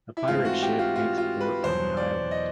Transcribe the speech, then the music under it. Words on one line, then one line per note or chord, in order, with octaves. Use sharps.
A pirate ship makes port on the island.
E4
G#2 E3 A3 C4 F4
F#4
G4
F4
F4
F4
B4
E2 B2 F#3 C5
D5
D#5